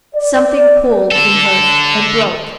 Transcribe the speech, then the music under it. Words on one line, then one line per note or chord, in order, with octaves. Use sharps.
Something pulled in her--and broke.
D5
D3 A4